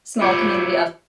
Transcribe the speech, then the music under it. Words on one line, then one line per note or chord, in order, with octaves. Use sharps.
small community of
E4 F4 G4 C5 C#5